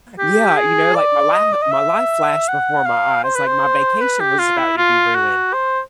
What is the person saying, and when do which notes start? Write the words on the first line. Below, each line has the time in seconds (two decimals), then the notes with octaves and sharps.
yeah, you know, like, my li my life flashed before my eyes, like, my vacation was about to be ruined,
0.19 G4
0.57 G#4
0.95 D5
1.34 D#5
1.52 D5
1.62 D#5
1.71 E5
2.48 F#5
2.86 F5
3.24 C5
3.35 B4
3.47 C5
4.01 B4
4.20 G4
4.39 F4
4.58 E4
4.77 F4
5.15 F#4
5.53 C5